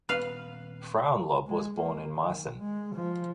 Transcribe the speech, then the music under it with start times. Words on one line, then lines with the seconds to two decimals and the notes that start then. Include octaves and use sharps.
Frauenlob was born in Meissen.
0.09 D#1 B3 B4 F5
1.48 G#3
1.79 A#3
2.16 D#3
2.58 G#3
2.95 F3